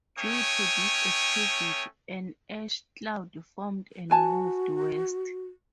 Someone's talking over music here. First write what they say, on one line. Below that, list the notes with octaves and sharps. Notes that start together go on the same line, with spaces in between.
Due to this activity, an ash cloud formed and moved west.
A3 C#4 C#5 G5 D#6
F#4 B4 G#5 A5